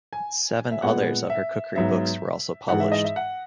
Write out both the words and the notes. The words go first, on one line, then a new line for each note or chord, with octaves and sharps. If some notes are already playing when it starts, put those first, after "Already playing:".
Seven others of her cookery books were also published.
G#5
E5
A#2 G#3 B3 F#5
E5
G#2 F#3 B3 E5
G#2 E3 G#3 F#5
E5
D#5
E5
F#5